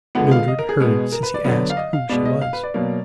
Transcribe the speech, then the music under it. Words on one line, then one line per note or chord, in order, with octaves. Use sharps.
Mildred heard Cissy ask who she was.
D3 F3 G#3 B3 F#5
F5
D#5
A#4
G#4
B2 G#3 B3
A#4
B4
D5
D3 F#3 B3
F5
D#5
F5
B2 G#3 B3 D5
D#5
F5
B4
D5
B2 F#3 A#3